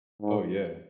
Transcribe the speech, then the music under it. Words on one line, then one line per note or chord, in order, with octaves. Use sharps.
Oh, yeah.
G#2